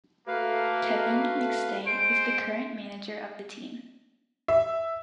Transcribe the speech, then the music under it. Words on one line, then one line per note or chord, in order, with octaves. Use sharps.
Kevin McStay is the current manager of the team.
A3 A#3 F#4 B4 F5
G#3 C5 D7
E5